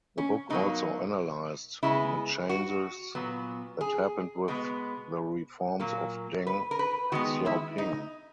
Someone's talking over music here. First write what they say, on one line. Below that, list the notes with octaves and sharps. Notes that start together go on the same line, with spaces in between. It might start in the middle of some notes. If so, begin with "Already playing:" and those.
The book also analyzed the changes that happened with the reforms of Deng Xiaoping.
C#4
B2 F#3 A#3 D#4
C#3 G#3 B3 E4
F#4
A#2 F#3 B3
G#4
B2 G#3 B3
A#2 F#3 A#3
B4
A#4
B4
D#3 G#3 B3 F#4
E4
D#4